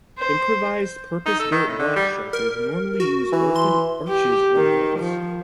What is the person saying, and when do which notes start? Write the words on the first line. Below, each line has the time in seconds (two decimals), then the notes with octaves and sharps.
Improvised purpose-built blast shelters normally use earthen arches or vaults.
0.18 C5
1.26 D#4
1.39 A4
1.52 D#3
1.67 A2
1.79 D3
1.96 G3
2.33 A#4
3.00 F#4
3.33 E3
3.56 C6
4.08 G4
4.56 D#3
5.00 F3